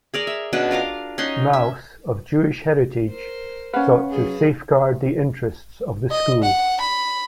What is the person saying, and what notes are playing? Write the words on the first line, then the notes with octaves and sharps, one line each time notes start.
Mauss, of Jewish heritage, sought to "safeguard the interests" of the school.
G#4 A#4 D5
E5
B2 C#4 D4 B4
F4 A#4 F5 D6
C#4 D#4 F#5 C6
E5
A#4 C5
C#4 B4 F5 F#5 B5
F#3 G#4
D#5
F#5
B5